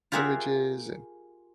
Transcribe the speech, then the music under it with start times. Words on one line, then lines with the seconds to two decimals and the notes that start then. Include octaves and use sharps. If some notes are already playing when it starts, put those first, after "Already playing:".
images and
0.12 F4 G4 G#4 A#4 E5 F#5